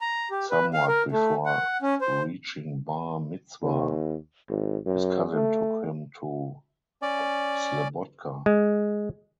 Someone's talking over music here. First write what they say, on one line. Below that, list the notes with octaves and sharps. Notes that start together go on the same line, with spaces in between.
Somewhat before reaching bar mitzvah his cousin took him to Slabodka.
A#5
G4
B4
F5
A#4
A3
F#5
C#4
C5
D#2
G#1
F#2
A3
C#4 D5
G#3